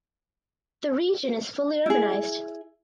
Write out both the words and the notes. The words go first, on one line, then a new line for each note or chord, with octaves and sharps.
The region is fully urbanised.
E4 G#4